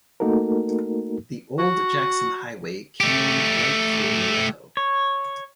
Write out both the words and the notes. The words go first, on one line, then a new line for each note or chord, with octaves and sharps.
The Old Jackson Highway came right through Loretto.
A3 A#3 D#4 F#4 A4 A#4
F#4
A3 G4
C#5